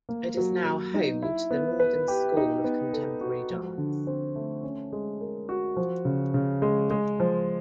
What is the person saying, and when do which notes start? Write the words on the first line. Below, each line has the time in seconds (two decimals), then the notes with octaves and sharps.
It is now home to the Northern School of Contemporary Dance.
0.09 A#3
0.37 F#3
0.66 F#3
0.94 D#4
1.23 E4
1.51 B3
1.80 B4
2.08 G4
2.37 D#4
2.64 B3
2.93 A4
3.21 F#4
3.50 F3
3.78 D3
4.07 C4
4.36 A3
4.63 C#4
4.93 G#3
5.21 A#4
5.49 F#4
5.77 F3
6.05 C#3
6.34 C#3
6.62 G#3
6.90 G#3
7.20 F3